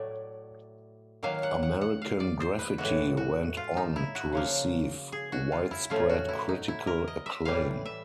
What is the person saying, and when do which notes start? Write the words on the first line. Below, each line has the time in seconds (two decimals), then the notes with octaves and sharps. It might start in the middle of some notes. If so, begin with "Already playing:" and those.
"American Graffiti" went on to receive widespread critical acclaim.
Already playing: A2 F#3 A3 D5
1.23 D#3 F#3 A#3 F5
1.43 F#5
1.63 F#5
1.81 F#5
2.02 F5
2.20 D5
2.41 C5
2.59 B4
2.78 A2 E3 G#3 F#4
3.17 F#4
3.57 F4
3.77 D#4
3.96 E4
4.15 F#4
4.32 C#3 F3 A#3
5.12 G#4
5.32 F#4
5.52 F4
5.71 E4
5.90 A2 F3 A3 C#4 F4
6.09 F#4
6.29 E4
6.49 D#4
6.68 E4
6.87 A#4
7.08 D#5
7.26 E5
7.45 A2 E3 G3 F5
7.85 E5